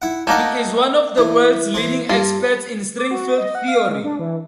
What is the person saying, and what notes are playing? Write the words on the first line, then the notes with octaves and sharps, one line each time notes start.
He is one of the world's leading experts in string field theory.
E4 F#5
A3 A#3 D#4 A4 F5 F#5
E3
E3 C4
G2 F4
D6
F#4
D#5
F#5
F5
G#3
D4
E3